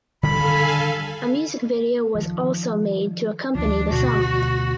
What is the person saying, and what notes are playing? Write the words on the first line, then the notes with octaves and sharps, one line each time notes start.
A music video was also made to accompany the song.
D3 D#3 G3 A4 F5 G#5 B5
D#3 F3
D2 D#3 F3 D4
D2 B2 F#4